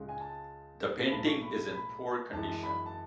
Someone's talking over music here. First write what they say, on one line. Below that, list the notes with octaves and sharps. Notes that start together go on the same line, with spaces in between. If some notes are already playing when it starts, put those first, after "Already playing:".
The painting is in poor condition.
Already playing: C#2 C#3 G#3
G#5
A5
B5
B1 A2 G#3 A5
C#6
B5
B5
F#2 E3 G#3 A5
B5
A5